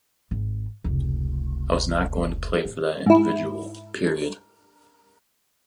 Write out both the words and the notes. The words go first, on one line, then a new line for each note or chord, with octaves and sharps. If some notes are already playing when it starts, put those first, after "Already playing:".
I was not going to play for that individual -- period.
G#1
F1 C#2
D1
G#2 E4